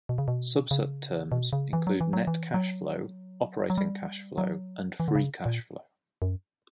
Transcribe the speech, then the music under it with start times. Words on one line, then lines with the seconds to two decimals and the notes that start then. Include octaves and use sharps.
Subset terms include net cash flow, operating cash flow and free cash flow.
0.09 B2
0.18 C#3
0.28 B2
0.71 C#3
1.32 B2
1.53 C#3
1.73 E3
1.87 F#3
2.01 E3
2.13 F#3
2.27 E3
2.54 F#3
3.70 F#3
3.78 G3
4.38 F#3
5.00 E3
5.08 D3
5.15 C#3
5.46 A#2
6.22 F#2